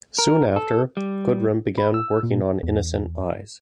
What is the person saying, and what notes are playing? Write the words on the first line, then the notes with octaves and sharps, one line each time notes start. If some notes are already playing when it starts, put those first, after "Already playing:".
Soon after, Goodrem began working on Innocent Eyes.
A#4
A4
G3
B5
E6
A#2
E2